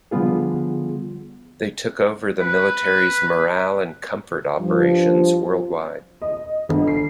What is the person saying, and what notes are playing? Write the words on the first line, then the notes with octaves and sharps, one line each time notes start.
They took over the military's morale and comfort operations worldwide.
D3 F3 G3 B3 F4 G#4
B4
G2 F3
D#5
G1
C7